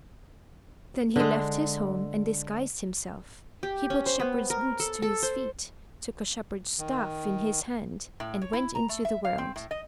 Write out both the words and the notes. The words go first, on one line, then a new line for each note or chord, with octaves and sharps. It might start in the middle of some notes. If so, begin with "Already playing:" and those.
Then he left his home, and disguised himself; he put shepherd's boots to his feet, took a shepherd's staff in his hand, and went into the world.
D3 G#3
G4
C#4
C5
B3
A#4
A4
A4
C5
D#3
A2
C#5
E4
A#5
A3
E5
F5
C4
A2
D#5